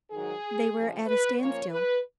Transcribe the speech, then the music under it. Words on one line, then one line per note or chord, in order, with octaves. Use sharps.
They were at a standstill.
G#2 D#3 F#3 G#4
F2 C#3 F3
B4
A#2 F3 A#3 C#4 C#5
B4